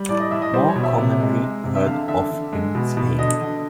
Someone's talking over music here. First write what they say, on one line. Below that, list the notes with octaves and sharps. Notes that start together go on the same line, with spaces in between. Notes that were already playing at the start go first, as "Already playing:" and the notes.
More commonly heard of in Spain.
Already playing: G3
A2 D5
D#5
A2 E5
D#5
G3 C5
C#5
B2
E5
C3
G#3
G#3
C3
E5
D3 F5
D3 E5
D3
G#3
B2
B2
D3 D#5
D3